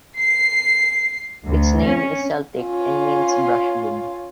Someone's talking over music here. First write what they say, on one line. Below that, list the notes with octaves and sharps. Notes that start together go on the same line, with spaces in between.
Its name is Celtic and means "brushwood".
C7
D2
C#4
C#4 F4